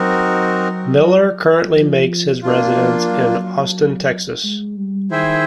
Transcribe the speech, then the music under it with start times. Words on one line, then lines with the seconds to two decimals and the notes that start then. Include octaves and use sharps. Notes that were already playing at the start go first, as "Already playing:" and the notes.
Millar currently makes his residence in Austin, Texas.
Already playing: F#3 C4 D#4 F#4 A#4
1.75 F3
2.42 A#3 D4 F4
2.76 F3
3.10 F#3
4.44 G#3
4.77 G3
5.11 D#3 E4 G#4 C5 E5 G5